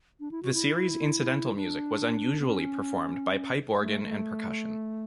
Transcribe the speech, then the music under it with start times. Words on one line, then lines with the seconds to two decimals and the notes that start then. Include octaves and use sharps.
The series' incidental music was unusually performed by pipe organ and percussion.
0.20 D4
0.31 E4
0.43 F#4
0.54 E4
1.56 D4
2.40 B3
2.46 C#4
3.81 A3
4.04 A3